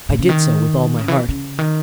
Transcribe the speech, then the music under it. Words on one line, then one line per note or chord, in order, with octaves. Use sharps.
I did so with all my heart.
A2
C#3
D#3
C#3
E3
C#3
D#3